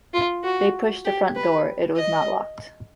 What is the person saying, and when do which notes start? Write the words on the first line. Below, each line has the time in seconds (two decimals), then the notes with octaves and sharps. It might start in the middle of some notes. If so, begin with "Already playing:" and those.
They pushed the front door — it was not locked.
0.14 F4
0.44 F#4
1.05 G4
1.36 B4
1.97 D#5